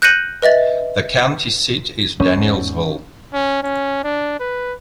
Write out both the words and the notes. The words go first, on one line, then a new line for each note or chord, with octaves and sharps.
The county seat is Danielsville.
F#6 G6 A#6 C#7 D#7 F#7
B4 D#5 E5 A6
E2 D3 A#3 C#4
E2 G#2
C#4
C#4
D4
B4